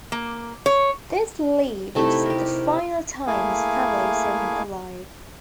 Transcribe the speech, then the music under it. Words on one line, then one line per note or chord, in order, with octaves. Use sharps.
This leave was the final time his family saw him alive.
A#3
C#5
C3 A3 D#4 E4
G4 A#4
A3 A#3 E4 G#4 F5 G#5